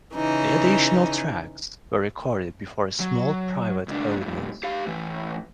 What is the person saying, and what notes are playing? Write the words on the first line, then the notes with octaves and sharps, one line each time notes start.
The additional tracks were recorded before a small private audience.
C#3 E3 D#4
F#3
C#2 D4
G2 A#2
G4 F5
A2 E3